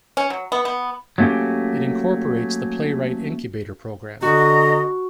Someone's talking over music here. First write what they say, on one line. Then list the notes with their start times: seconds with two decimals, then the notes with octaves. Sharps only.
It incorporates the Playwright Incubator Programme.
0.17 C#4
0.30 F#3
0.52 B3
0.65 B3
1.18 F#3 A3 A#3 C#4 G4
4.22 D3 F#4 D#5 A#5